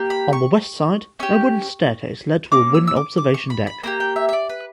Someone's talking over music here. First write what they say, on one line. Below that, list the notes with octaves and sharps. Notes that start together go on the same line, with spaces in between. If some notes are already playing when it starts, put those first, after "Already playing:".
On the west side, a wooden staircase led to a wooden observation deck.
Already playing: A#3 G4
B5
C#6
C#4 G4 C#6
A#3 C#4 D6
E6
E6
D6
D6
C#6
B5
B5
A#3 E4 G4 A#5
G5
E5
E5
D5
B4